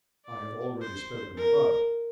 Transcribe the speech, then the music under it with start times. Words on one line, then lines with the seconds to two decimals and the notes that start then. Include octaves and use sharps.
I have already spoken above.
0.25 D5
0.81 C5
1.36 A#4